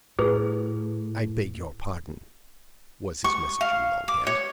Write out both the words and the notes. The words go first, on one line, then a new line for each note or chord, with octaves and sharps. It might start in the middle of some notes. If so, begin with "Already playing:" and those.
"I beg your pardon," was his message in long-hand.
A2 G#4 B4
C#6
F5
D6
C#5